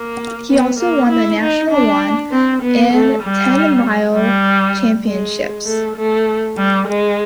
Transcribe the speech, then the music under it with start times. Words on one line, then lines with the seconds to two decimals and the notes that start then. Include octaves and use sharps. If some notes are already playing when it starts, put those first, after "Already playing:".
He also won the national one and ten mile championships.
Already playing: A#3
0.49 B3
0.80 A#3
1.10 E4
1.40 D#4
1.71 D4
2.32 C4
2.62 B3
2.93 A3
3.23 G3
4.14 G3
5.05 G#3
5.66 A3
5.96 A3
6.57 G3
6.88 G#3